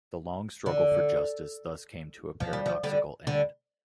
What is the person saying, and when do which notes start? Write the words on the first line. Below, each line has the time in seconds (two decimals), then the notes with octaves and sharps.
The long struggle for justice thus came to a paradoxical end.
0.66 D3
2.40 F3
2.53 G3
2.66 F3
2.83 D3 G3
3.27 D3 G3